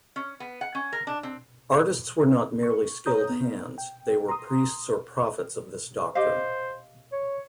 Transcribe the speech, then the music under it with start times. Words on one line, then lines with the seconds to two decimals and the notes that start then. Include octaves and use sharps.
Artists were not merely skilled hands; they were priests or prophets of this doctrine.
0.16 C#4
0.40 B3
0.61 F#5
0.75 C#4
0.93 A#4
1.07 D4
1.23 C4
2.63 C#6
3.06 C#5 A#5 D#6 G6
3.30 B3
3.78 G5
4.28 A#5 C6 D#6
6.15 G4 C5 D#5 F5
7.12 C#5